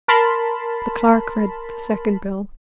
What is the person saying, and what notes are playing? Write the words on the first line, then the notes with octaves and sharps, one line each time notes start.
The Clerk read the second bill.
A#4 A5 B5 C6